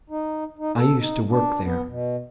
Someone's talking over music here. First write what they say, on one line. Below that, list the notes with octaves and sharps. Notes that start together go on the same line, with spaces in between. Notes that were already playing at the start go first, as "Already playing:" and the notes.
"I used to work there."
D#4
D#4
A4
D#4
D4
B3
B2